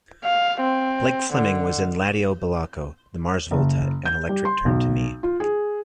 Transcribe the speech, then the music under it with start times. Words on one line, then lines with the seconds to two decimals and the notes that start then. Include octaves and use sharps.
Blake Fleming was in Laddio Bolocko, The Mars Volta and Electric Turn to Me.
0.24 F5
0.61 C4
1.34 D3
3.51 F#1
4.05 G6
4.29 G3
4.45 C6
4.65 B1
5.23 F4
5.40 G#4